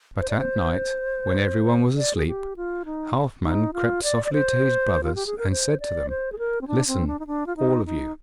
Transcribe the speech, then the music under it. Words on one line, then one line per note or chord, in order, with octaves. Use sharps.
But at night, when every one was asleep, Halfman crept softly to his brothers, and said to them, 'Listen, all of you!
C5
D5
C5
D5
G#4
G4
F4
D#4
D#4
F4
D5
D5
C5
F4
G4
G#4
A#4
C5
D5
C5
G#4
A#4
C4
D4
C4
D4
D#4
D4
F4
D#4
D#4